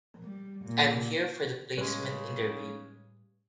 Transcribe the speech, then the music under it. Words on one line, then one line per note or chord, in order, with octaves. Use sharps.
I'm here for the placement interview.
G3
A#2
A2 C#3 G3 G#3 C#4 B4